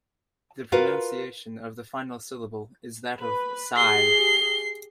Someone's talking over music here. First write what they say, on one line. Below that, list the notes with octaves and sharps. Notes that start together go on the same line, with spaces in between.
The pronunciation of the final syllable is that of "sigh".
F4 F#4 A#4 B4 F5
B4 B5
G4 G#4 C7 G7